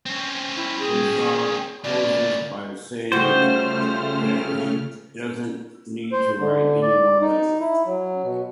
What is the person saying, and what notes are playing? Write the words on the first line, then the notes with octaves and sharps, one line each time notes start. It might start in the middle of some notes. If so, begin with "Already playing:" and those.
Herzog closes by saying that he doesn't need to write any more letters.
C4 C#4
E4
G#4
C#3 A#3 D5
C#3 F3 G3 A3 F#4 C5 F6
C5
D3
D5
D#4
E4
F#3
B2